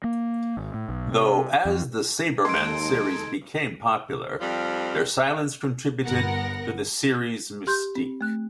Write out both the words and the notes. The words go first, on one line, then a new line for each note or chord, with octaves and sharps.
Though as the "Sabreman" series became popular, their silence contributed to the series' mystique.
A#3
G#1
A2
B1
C3
F2
D#2 G#3 D#4 A4 C6 G#6 D7
F2 F3 G3
G1 B3 A#4 F#5 A#6
G4 C6 G6
C4
A3 F#6